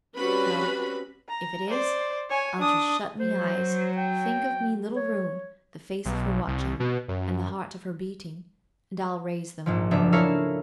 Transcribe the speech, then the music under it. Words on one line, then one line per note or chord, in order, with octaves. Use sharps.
Well, if it is, I'll just shut me eyes, think of me little room, the face of her watching, and the heart of her beating, and I'll raise them.
G3 C4 C#4 F#4 B4 B5
A#5
C5 D5
C#5 G#5
D4 D#6
F#3 C5
G5
C#5
B1
C2
B2
F#2
A#1 G#2 F3
F#1 D4 E5
E4 A4 A#4 C#5 E5 F5